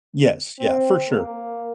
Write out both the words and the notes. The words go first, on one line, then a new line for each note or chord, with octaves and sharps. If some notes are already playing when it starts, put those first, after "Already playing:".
Yes, yeah, for sure.
C4
A#3